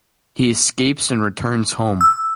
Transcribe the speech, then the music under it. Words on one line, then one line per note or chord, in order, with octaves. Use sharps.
He escapes and returns home.
E6